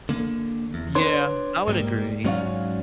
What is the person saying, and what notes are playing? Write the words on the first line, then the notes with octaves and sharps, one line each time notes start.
Yeah, I would agree.
D3 A#3
E2
D4 B4 C#5 C6
G#2 G3 A3 A#3
G#2 F#3 C#4 C#5 D5 F5